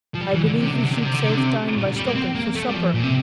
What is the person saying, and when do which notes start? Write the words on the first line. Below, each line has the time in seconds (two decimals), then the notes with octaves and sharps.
I believe we should save time by stopping for supper.
0.14 F3
0.21 G3
0.34 E3
0.46 D3
0.59 C3
0.68 D3
0.74 C3
0.83 D3
0.90 C3
0.98 D3
1.06 C3
1.14 D3
1.22 C3
1.30 D3
1.37 C3
1.77 A#2
1.86 D3
1.96 G3
2.06 A#3
2.15 C4
2.35 A#3
2.55 A3
2.69 G3
2.74 F3
2.94 A#2
3.04 C3